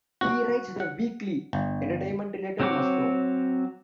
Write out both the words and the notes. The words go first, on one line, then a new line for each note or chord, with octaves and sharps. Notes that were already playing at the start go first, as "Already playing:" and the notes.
He writes the weekly, entertainment-related Musto!
F#4
F#5
G1
F#3 C4 F#4 C#5 D6